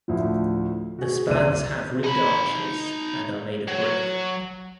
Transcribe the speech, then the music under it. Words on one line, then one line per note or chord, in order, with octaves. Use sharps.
The spans have ribbed arches and are made of brick.
D2 A2 F3
F#4 G#4
F#1 C2 D5 E5 D#7
D#4 B5
F#3